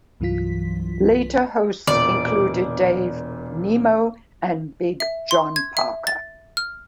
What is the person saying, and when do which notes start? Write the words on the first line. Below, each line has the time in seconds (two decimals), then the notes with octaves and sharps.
Later hosts included Dave Nemo and Big John Parker.
0.20 C2 G2 E3 F#3 F4 B6
1.87 E1 A#2 D5
5.00 E5
5.31 C6
5.56 G#6
5.77 E5
6.07 A6
6.57 F6